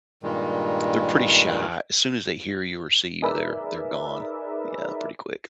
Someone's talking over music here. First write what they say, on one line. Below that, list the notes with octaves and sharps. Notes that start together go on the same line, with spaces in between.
they're pretty shy, as soon as they hear you or see you, they're they're gone. Yeah, pretty quick.
G2 A#2 D#3 G3 G#3
D#4 G#4 A#4 B4 D5 E5